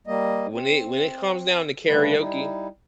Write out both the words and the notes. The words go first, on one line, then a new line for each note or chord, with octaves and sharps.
when it when it comes down to karaoke
G3 A#3 D#5
C4
C#3 G3 A3 D4 B4
G3 D#4 E4